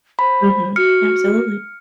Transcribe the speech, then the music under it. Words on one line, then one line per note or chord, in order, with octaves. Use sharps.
Mhm, absolutely.
C5 B5
F#4 F6 C#7